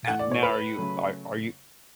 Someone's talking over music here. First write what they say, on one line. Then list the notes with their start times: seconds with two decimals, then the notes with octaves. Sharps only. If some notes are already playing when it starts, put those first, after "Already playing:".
No now are you are are you
0.07 A2 E3 A3 F#5
0.19 D5
0.31 C#5
0.43 B4
0.77 C#3 F#3 A3